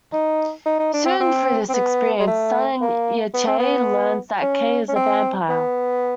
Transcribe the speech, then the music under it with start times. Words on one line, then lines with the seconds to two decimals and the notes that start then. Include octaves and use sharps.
Soon, through this experience, Son and Yi-Che learn that Kei is a vampire.
0.13 D#4
0.66 D#4
0.79 D#4
0.94 D4
1.06 C4
1.20 C4
1.69 C4
1.74 B3
2.20 G#3
2.28 A3
2.81 A#3
3.34 B3
3.47 C4
3.59 B3
4.42 C#4
4.89 C#4
4.96 C4
5.50 B3